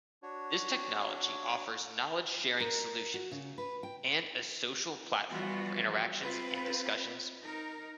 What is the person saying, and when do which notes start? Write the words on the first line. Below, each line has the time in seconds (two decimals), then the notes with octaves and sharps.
This technology offers knowledge sharing solutions and a social platform for interactions and discussions.
0.23 D4 F#4 C#5
2.60 A#4
3.14 F#4
3.31 C#3
3.58 B4
3.83 G5
5.31 E3 F3 G3 B3 F4 F#4
6.22 C4 F4 B4 C5
7.45 D#4 A#4